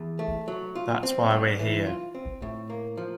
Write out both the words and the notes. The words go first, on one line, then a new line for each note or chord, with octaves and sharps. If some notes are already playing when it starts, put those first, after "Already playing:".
That's why we're here.
Already playing: E2
A3
F#3
F4
C4
G3
E3
F4
C4
A2
A#3
F3